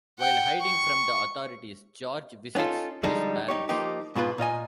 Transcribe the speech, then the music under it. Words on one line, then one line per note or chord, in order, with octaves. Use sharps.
While hiding from the authorities, George visits his parents.
F#5 G5
C#6
B3 C#4 D#4 F4 A4
D3 F3 G3 G#3 D#4 A4
D#4 G4 C#5
F3 A#3 D#4 G4
G#2 B2 E4 F4 B4
A#2 F4 D#5 G#5